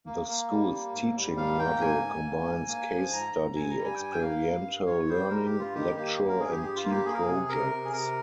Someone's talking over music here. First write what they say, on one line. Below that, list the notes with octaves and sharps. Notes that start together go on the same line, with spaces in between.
The school's teaching model combines case study, experiential learning, lecture and team projects.
A#3
A#3
G3
A#3
G#2
G3
G#2 F5
A#3 G5
G#2 G#5
G#2
A#3
G#2
A#3
F3
G#2 A#5
G#2
G2 G#5
A#5
G3
G#5
G5
G2 G#5
G5
A#3 F5
G2
G2
G2 C#5
G3 C5
G2 A#4
G4
G2
F4
D#3 G4
A#3 G4
G2
A#4
G2 G#4
G4
G#4
G2 G4
F4
A#3
G4
A#3 G#4
A#4
G#4
C3
C3 A#4
C3
G#4
C3 A#4